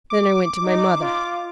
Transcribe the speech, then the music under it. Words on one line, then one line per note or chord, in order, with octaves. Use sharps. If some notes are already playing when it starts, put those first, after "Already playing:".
Then I went to my mother.
D6
D#4
F4